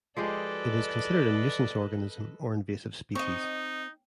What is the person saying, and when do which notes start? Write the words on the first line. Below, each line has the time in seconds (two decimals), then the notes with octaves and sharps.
It is considered a nuisance organism or invasive species.
0.17 F3 G#3 G4 A4 B4 D5 D#5
3.15 C4 D#4 D#5 C#6